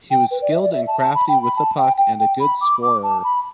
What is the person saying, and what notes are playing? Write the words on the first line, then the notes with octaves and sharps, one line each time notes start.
He was skilled and crafty with the puck and a good scorer.
G5
B4
D5
E5
D5
E5
A5
A5
B5
G5
B5
A5
G5
G5
G5
B5
D6
D6
A5
B5